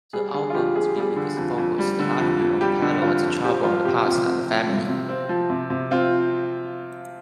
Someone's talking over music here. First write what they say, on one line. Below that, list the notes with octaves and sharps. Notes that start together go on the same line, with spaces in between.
The album's lyrics focused largely on Taylor's troubled past and family.
G3 G#4
D3 G#4
F4
F2 G4
F2 G#4
G4
G3 G#4
D3
F2
F2
G3
D3
F2
F2
G3 G4
D3
F2 F4
F2
C4 G4
F3 F4
C3 G4
C3 F4
C4
F3
C3
C3
C4
F3
C3
C3
C4 F4